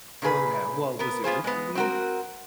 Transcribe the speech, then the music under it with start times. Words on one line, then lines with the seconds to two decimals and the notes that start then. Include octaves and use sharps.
Well, yeah. Well, was it recently?
0.22 A#2 C#3 G#4 B4
0.99 B3 A#4
1.24 B3 F4 G#4 C5
1.44 G#3 B3
1.75 C4 F#4 A#4